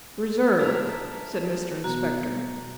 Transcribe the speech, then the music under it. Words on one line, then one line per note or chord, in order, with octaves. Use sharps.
'Reserve!' said Mr Inspector.
D4 A#4 E5
B2 F#4 A#5